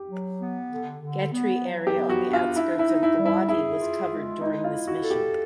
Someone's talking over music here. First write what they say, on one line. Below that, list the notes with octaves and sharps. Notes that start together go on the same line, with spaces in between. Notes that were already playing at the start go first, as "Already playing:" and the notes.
Khetri area on the outskirts of Guwahati was covered during this mission.
Already playing: G4
F#3
B3
D3
D3
B3
F#3
G4
B3
F#4
D4
F4
D#4 E4
E4
D#4
E4
G3
E4
E4 G#4
F4
G#3
D#4 E4
F4
E4
F#4
A4
G4